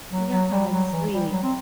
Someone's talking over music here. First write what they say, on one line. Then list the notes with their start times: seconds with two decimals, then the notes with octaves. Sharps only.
Yeah, it's sweet.
0.12 F#3
0.31 F#3
0.52 G3
0.72 F#3
0.92 E3
1.12 G3
1.32 F#3
1.43 C4